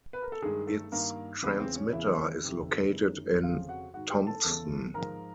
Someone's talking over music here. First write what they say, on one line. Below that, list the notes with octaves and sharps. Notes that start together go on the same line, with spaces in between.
Its transmitter is located in Thompson.
B4
A#4
A4
G2 D#3 G#3 G#4
A3 A4
G2 D#3 A#3 A#4
E2 C#3 E3 B3 B4
C4 C5
C#4 C#5
E2 C#3 E3 E4 E5
F2 C3 D#3
F#2 D#3
F2 C#3 F3 F4 F5
F#4 F#5
G#2 D#3 F#4 F#5
G4 G5
A4 A5
E2 C#3 E3 A4 A5
G#2 F3 A#4 A#5